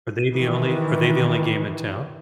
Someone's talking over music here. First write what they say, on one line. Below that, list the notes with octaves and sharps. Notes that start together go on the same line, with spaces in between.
Are they the only are they the only game in town?
D#3 E3